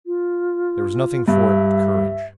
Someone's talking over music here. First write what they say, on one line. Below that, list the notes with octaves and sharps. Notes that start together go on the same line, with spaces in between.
There was nothing for it but courage.
F4
G2 E5